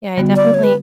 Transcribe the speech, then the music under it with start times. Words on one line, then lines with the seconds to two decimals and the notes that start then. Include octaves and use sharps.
Yeah, I definitely
0.17 D3 G3 B3 F#4
0.36 D5
0.54 C#5
0.63 B4